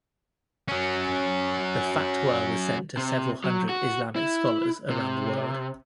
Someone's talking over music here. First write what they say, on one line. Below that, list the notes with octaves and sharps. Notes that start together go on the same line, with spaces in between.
The fatwa was sent to several hundred Islamic scholars around the world.
F#3 C#4
C3
F#3
F#4
E4
C3